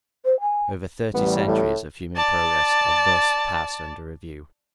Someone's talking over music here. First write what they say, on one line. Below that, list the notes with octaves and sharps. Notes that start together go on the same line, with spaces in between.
Over thirty centuries of human progress are thus passed under review.
C5
G#5
A1 G3 B3
A2
D5 A5